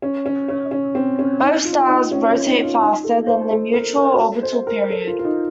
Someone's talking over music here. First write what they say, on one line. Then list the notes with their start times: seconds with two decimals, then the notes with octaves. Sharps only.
Both stars rotate faster than their mutual orbital period.
0.02 C#4
0.26 C#4
0.49 C#4
0.71 C#4
0.95 C4
1.19 C#4
1.42 D#4
1.65 F4
1.88 D#4
2.11 C#4
2.29 C#4
2.46 D#4
2.63 F4
2.81 D#4
3.04 A4
3.27 C5
3.51 A4
3.74 A#4
3.96 A#4
4.14 F#4
4.20 A4
4.43 C5
4.67 A#4
4.90 A4
5.07 F4
5.19 F4
5.24 D#4